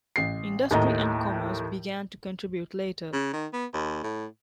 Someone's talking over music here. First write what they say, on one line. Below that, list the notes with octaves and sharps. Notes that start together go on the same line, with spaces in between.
Industry and commerce began to contribute later.
A1 C7
D#2 A2 D#5 A#5
C#3
D#3
B3
D#2
A2